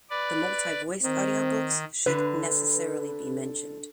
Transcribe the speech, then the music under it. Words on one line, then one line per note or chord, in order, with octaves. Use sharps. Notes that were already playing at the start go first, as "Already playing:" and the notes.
The multi-voiced audio books should necessarily be mentioned.
B4 D5
D#3 C4
D3 B4